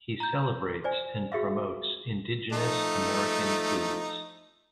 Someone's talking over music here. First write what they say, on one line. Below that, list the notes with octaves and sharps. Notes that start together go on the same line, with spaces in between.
He celebrates and promotes Indigenous American foods.
A#5 G6
C5 D5 G#5
F#4 G#4 E5 F5
F3 A3 D#4